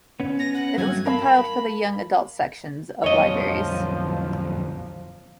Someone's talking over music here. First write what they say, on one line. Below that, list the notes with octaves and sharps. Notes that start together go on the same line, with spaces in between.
It was compiled for the Young Adult sections of libraries.
B3 C#4
A#6
F#5
G2 F#3 A3 G#6
A#4 F5 A5 B5
B1 F2 F3 C#5 D#5